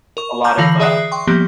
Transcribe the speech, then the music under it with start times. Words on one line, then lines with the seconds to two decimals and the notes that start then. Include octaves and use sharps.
a lot of uh,
0.17 A#4 C#6
0.44 A5 A#5 C#6 D6 F6 G6
0.58 D3 E3 F4 F5 A#6 F#7
0.80 G#4 D5 E5 D#6 F#6 C7
1.12 G5 C6 C#6
1.27 F3 G3 A#3 B3 G4